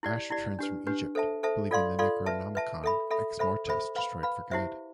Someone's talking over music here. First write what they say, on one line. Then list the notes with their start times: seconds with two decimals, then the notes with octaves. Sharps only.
Ash returns from Egypt, believing the Necronomicon Ex-Mortis destroyed for good.
0.03 E4 G4 D5
0.30 E4 G4 D5
0.59 D4 G4 B4
0.87 D4 G4 B4
1.15 A4 C5 E5 A5
1.43 A4 C5 E5 A5
1.71 F4 A4 D5 F5 C6
1.99 F4 A4 D5 F5 C6
2.26 B4 E5 A5
2.55 B4 E5 A5
2.84 A4 E5 B5
3.11 A4 E5 B5
3.39 A4 C5 E5 B5
3.67 A4 C5 E5 B5
3.96 B4 F5 B5
4.23 B4 F5 B5
4.51 E4 G4 C5 E5